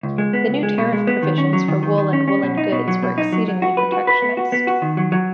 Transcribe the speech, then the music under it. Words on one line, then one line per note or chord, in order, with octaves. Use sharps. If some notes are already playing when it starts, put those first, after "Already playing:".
The new tariff provisions for wool and woolen goods were exceedingly protectionist.
C#2
G#3
B3
C#2
G#3
B2
G#3
B3
D#3
C#4
F#3
D#3
D#3
D#3
C#4
C#4
B2
D#4
B2
F#3
B2
D#4
F#3
F#3
F#4
B4
F#4
B4
B3
F#4
B3
F#4
D#3
F#3
F#3